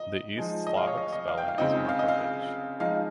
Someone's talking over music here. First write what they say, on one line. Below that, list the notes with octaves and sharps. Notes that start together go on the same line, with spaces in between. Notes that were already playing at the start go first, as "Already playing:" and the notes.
The East Slavic spelling is Markovich.
Already playing: D#5
F3 G#3 D#4
D#5
F5
C#5
D#5
D#5
F5
G5
F5
C#3 G#3 C4 D#4 D#5
F5
D#5
F5
F3 G#3 D#4 F5